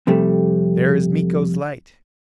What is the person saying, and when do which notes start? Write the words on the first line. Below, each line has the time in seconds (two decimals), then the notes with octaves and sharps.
"There is Miko's light!"
0.07 F2 C3 G3 A3